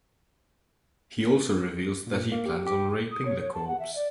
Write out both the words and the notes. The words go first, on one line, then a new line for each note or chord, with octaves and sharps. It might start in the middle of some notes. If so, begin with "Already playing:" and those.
He also reveals that he plans on raping the corpse.
A#2
A#3
G4
G4
D#6
C#5
C#5
A5
F#5
E5
D5